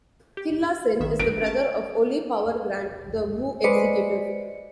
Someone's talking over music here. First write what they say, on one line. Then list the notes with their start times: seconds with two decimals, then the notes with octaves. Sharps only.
Killa Sin is the brother of Oli "Power" Grant, the Wu executive.
0.37 G4
1.00 A#1 D#3 E5
1.20 G1 A#4 B4 D7
1.42 C#4 A#4 A5
3.64 G#3 B4 C5 D5 D#5 C#7